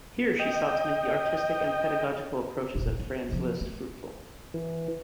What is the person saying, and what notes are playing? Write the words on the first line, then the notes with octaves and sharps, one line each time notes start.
Here she sought to make the artistic and pedagogical approaches of Franz Liszt fruitful.
D#5 G5
E1 A#1
F4
C3 F3
A3
E3